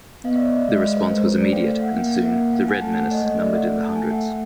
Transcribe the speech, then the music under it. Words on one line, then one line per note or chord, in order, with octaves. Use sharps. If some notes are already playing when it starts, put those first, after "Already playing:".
The response was immediate, and soon, "The Red Menace" numbered in the hundreds.
B3 D#5 F5
D5 E5
C#5 D#5
D5 E5
G#3 D#5 F5
D#5 F5
B4 C#5
G#3 A#4 C5
B4 C#5
C5 D5
A3 F5 G5
F5 G5
E5 F#5
A#3 F5 G5
F5 G5
E5 F#5
F5 G5
F#5 G#5
A3 G5 A5
F#5 G#5
C#5 D#5
A3 C#5 D#5
D5 E5
E5 F#5
A5
G#5
G5
E5 F#5